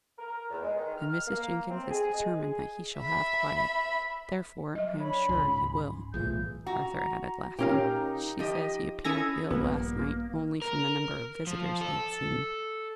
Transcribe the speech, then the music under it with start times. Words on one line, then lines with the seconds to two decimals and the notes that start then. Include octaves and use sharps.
And Mrs. Jenkins is determined that he shall have quiet; therefore I am sure, he will," Arthur added, laughing. "She says he appeared ill last night only from the number of visitors he had seen.
0.18 A#4
0.50 E2
0.62 G#3
0.78 D#3
0.98 F6
1.27 A#3
1.70 C4
1.91 G#4
2.14 G#3
2.40 G#4
2.99 E5 B5
4.75 F#3 D#5
5.00 D4 C#5 B5
5.29 C#2 G#2 C#3 G#5 C6
6.14 B1 A2 E3 A3 F4 G#4 G6
6.67 F#4 A#5
7.59 A#2 C#4 D#4 G4 A#4 F5
8.39 F3 G4 D#5
9.05 C#4 E4 A4 D#6 G#6 A#6
9.51 A#1 G2 A#3 B3
10.62 A#4
11.47 F3
11.81 A4